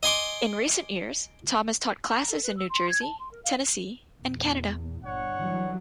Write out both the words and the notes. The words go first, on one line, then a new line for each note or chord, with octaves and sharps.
In recent years Tom has taught classes in New Jersey, Tennessee, and Canada.
D#5 G#5 C6 D6
A#5
A4
B4
E6
C6
G#6
A5
C6
A#4
F5
E2 A#2
G1 D4 C#5 F#5
E3 F#3 G3